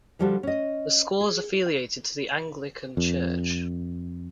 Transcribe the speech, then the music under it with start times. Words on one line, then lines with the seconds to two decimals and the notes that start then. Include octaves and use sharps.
The school is affiliated to the Anglican church.
0.19 D3 F3 G3 F#4 A4
0.43 C#4 D#5
1.21 G#4
2.97 F2